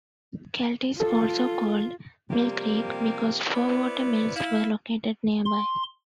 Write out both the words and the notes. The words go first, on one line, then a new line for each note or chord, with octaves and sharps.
Celt is also called "Mill Creek" because four water mills were located nearby.
F4 A4
C3 F3 G3 A#3 G4
B3 E4 C5 D5
E4 F5
C6